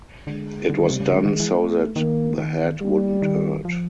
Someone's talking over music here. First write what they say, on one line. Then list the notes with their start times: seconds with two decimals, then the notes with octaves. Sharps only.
It was done so that the head wouldn't hurt.
0.27 D3 G#3
0.70 D3 G3
0.79 D#3
0.90 C3
1.00 C#3
1.11 D3 G#3
1.25 D#3
1.40 E3
1.53 A3
1.96 D#3 A#3
2.38 D#3
2.81 G3
3.22 D#3
3.65 F3